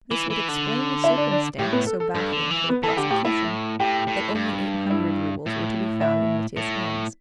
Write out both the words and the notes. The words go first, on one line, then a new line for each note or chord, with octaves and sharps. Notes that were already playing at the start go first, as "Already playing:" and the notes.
This would explain the circumstance, so baffling for the prosecution, that only eight hundred roubles were to be found in Mitya's hands.
E3
E3
D3
E4 E5
D4 D5
D4 D5
A2 G4
B3 B4
A4
A4
G2 A4
D3
E3
B3 B4
E3 A4 A5
D3 G4 G5
A2 G4 G5
A2 E4 E5
A2 G4 G5
A2
G2
E4 E5
A2
E4 E5
A2